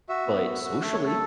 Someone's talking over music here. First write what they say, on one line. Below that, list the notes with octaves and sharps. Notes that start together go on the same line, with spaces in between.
but socially,
F#4 E5
B3
F#4
F#4
A3 E5
C#5
A3
A4